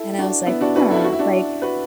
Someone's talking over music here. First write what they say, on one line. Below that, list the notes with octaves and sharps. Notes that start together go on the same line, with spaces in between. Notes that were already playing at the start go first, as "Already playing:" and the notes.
and I was like, "Huh," like,
Already playing: E4 A4
D4 F#4
B3 E4
D4 F#4
F#4 B4
E4 A4
F#4
E4
D4 F#4
F#4 B4